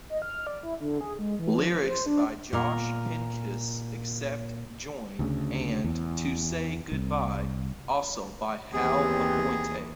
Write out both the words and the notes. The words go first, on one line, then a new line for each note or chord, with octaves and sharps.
Lyrics by Josh Pincus except "Join" and "To Say Goodbye" also by Hal Aponte.
D#5
F6
D5
E4
D3
G#4
G#3
E3
F3
C5
D4
A#2 A#4
D2 C#3
E2
C2
D#2 E3 B3 C4 G4 G#4